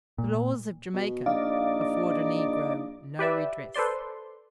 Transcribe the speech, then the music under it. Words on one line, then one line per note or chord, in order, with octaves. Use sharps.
The laws of Jamaica afford a Negro no redress.
A#2
B2
A#1 D#4 D5 F5
G4 B4 D5 E5
A4 B4 C5 D5 C6